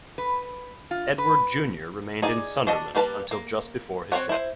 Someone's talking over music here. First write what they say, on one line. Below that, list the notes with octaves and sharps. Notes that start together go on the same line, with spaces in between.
Edward junior remained in Sunderland until just before his death.
B4
F4
B4
D#4 G#4 D5
D4 F#4 D#5 A5
G3 A#3 B4 A5
A#3
C4 F#4 C#5 F#5
E4 C5